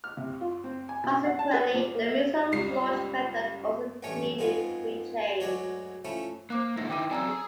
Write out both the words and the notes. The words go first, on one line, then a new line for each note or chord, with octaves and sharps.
Consequently, the missile launch method also needed to be changed.
F6
C3
F4
C4
G#5
B2
F#5
A5
B4
A#2
A#3
E5
C#2 G3 C7
A1 G2 A3 C#4 C#5
F2 G#2 G#3 B3 F4
D2 F#3 G#3 C#5 D5
F3 A3 C#4 E4
A#3 C5 D6 F#6
G#2 D3 E4 A#6
D#3 E4 G5 D6 D#7
F#3 C4 D5 G#5 A#5 E6
G#4